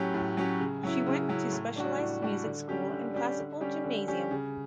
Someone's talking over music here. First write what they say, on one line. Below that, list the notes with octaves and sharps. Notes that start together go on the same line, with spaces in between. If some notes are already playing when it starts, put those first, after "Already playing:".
She went to specialized music school and classical gymnasium.
Already playing: A2 F#3 C#4 G4
A2
F#3 C#4 G4
C#3
F#3 C#4 E4
C#3
F#3 C#4 E4
A2
G3 D4 F#4
A2
G3 D4 F#4
D3
G3 C#4 G4
D3
G3 C#4 G4
D3
G3 C#4 G4
D3
G3 C#4 G4
C#3